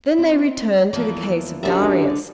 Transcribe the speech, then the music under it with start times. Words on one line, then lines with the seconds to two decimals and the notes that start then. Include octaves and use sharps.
Then they returned to the case of Darius.
0.18 C4 D#5
0.93 E2 E3 F3 A#3
1.63 F#2 D3 D4 G4 E5